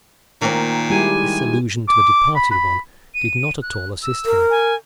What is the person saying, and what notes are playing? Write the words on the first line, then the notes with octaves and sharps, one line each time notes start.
This allusion to the departed one did not at all assist him.
A#2 D#3 A#3 C4
G3 G#3 E4 G4 G#5
D6
B5
B5
D#7
F#6
E6
A#4
G#5